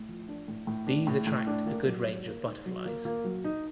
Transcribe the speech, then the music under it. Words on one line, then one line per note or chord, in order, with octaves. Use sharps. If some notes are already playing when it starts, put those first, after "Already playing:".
These attract a good range of butterflies.
Already playing: A2
F3
D4
A2
A2
D4
A2
A2
D4
A#3
F#3
F#3
A#3
D#4
F#3
A#3
A#3
F#3
D#4